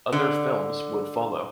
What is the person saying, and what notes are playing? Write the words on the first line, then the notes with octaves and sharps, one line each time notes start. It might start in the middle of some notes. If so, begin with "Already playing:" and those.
Other films would follow.
D3